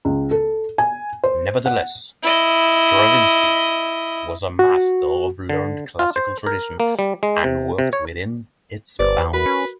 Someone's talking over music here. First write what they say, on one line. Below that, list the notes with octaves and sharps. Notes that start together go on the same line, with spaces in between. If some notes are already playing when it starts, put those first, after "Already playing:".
Nevertheless, Stravinsky was a master of learned classical tradition and worked within its bounds.
C#2
A4
G#5
C5
F#5
E4 D#5
F#4
D3
F4
C5
A#4
A#3
G3
G#3
C3
C3
C#5
G1 G4 B4 C5 D5
E2
F#4 A#4 B4 B5
C#4